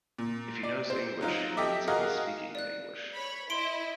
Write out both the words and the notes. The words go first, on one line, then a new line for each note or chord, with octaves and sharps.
If he knows English, he needs to be speaking in English.
A#2
D5
C5
F#3 D#4 F4
G4 A4 D#5 E5 D6
F#4 G#4 A#4 D#5 F5
D5 F#6
C#5 B5
E4 D#5 C6 B6 D7